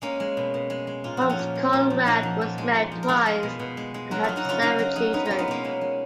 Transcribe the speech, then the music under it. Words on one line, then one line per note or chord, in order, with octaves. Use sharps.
Holmes Conrad was married twice and had seven children.
G#3 A#3 C#4
G#3
B2
B2
G#3
G#3
A#2 F4
F3 F#4
C#4 F4
A#2
G#3
A#2
F3
A#2 D#4 F#4
F3
A#2
G#3
A#2
F3
A#4
G#3 F4 G#4
G#3
B2
B2
G#3
G#3
F#3 F#4 A#4
F#3 F4 G#4
D#4 F#4
C#3 C#4 F4
C#3 D#4 F#4
F#3 F#4 A#4
F#3 D#4 F#4
G#3 B3 D#4
C#4 F4
G#3
B3 D#4
B2 A#3 C#4
B2 G#3
G#3